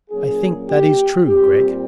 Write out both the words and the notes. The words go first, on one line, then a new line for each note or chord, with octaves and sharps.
"I think that is true, Gregg!"
A#2 F#3 A#3 C#4 G#4
G4
A#2 G3 C4 G4